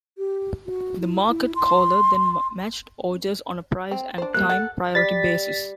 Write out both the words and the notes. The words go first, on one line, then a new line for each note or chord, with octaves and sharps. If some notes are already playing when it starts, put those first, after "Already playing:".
The market caller then matched orders on a price and time priority basis.
G4
F#4
E4
E4
C6
C4
D4 C5
G3 A#3 F#6
A4 F#5
G3 A6 B6